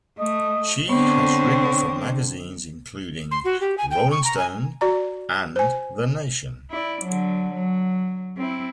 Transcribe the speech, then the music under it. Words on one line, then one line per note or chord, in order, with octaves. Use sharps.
She has written for magazines including "Rolling Stone" and "The Nation".
A3 D#5
D3 B3 C4 C#5
C6
F#4
G4
G#5
G5
C#6
A#5
G#5
F#4 D5 A#5
C5 G#5
E4 D5
D3 F#3
F#3
C4 E4